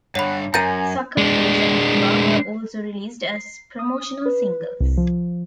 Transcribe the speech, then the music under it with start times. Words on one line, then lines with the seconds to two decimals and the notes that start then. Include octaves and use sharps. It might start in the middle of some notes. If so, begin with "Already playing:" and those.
"Suckerface" and "Eva" were also released as promotional singles.
0.15 G2 D3 C#5 F#5 B5
0.54 F#2 A#4 F#5 G#5 A#5 G6 A6 D#7
1.18 G#3 D4
3.24 C7
3.79 D#6
4.26 B4
4.80 C2
4.97 F3